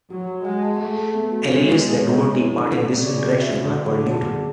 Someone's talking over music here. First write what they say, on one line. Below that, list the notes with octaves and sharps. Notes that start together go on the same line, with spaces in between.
Alleles that do not take part in this interaction are called neutral.
F#3 F#4
F#4
G#3 F#5
A5
A3 G#4
A5
B3
F#4
G#3 C#5
B3
A4
C#5
B3
E4
D3 A4
C#4
C#3 D5
D5
F#4
E5
D3 A4
F#4
D3 G#4
A5
G#4